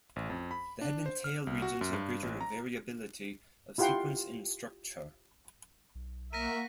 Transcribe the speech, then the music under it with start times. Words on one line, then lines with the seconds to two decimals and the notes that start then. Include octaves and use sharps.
The head and tail regions have greater variability of sequence and structure.
0.16 A1
0.30 F2
0.51 B5
0.81 D4
1.06 C5
1.24 F6
1.47 C2
1.62 F#4
1.81 F#2
1.93 G2
2.23 A1
2.41 A#5
3.78 E4 F4 G4 F#5 G5 C6
5.95 B1
6.33 A#3 A#4 E5 F#5 C#6 A#6 B6 D#7